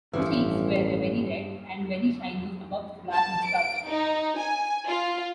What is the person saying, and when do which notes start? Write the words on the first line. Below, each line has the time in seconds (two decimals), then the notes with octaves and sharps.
His cheeks were very red and very shiny above his black moustache.
0.13 A1 G2 E3 F3 C#4
3.13 A5
3.48 D7
3.88 D#4
4.39 G#5
4.87 F4